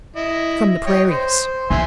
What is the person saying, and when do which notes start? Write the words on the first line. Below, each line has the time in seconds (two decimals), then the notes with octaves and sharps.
From the prairies.
0.16 E4 D#5
0.87 C#5 D#5 G5
1.11 C5
1.70 E3 E5 G#5 C6